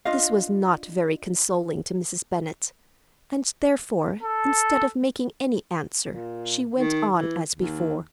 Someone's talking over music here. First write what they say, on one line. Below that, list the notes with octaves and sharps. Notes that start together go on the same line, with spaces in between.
This was not very consoling to Mrs. Bennet, and therefore, instead of making any answer, she went on as before.
D4 F4 D#5 F5
A4
A#2
D#3
E3
D#2